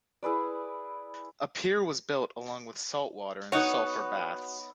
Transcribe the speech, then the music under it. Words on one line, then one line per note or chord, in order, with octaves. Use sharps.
A pier was built, along with salt water and sulphur baths.
E4 G#4 B4 D5
B3 D#4 F#4 B4 C#5